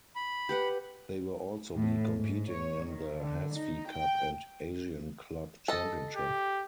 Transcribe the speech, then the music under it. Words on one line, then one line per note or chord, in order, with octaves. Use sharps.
They were also be competing in the Hazfi Cup and Asian Club Championship.
B5
G4 B4 F#5
A2
G#2
C#5
D#3
D3
D#4
G5
A4 D#5
G4